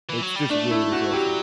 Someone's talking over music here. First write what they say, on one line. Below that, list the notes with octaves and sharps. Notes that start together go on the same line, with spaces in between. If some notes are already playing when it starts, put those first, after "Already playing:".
It's just really refreshing.
E3
F#3
G3
A3 D4
E4
F#4
F#3 G4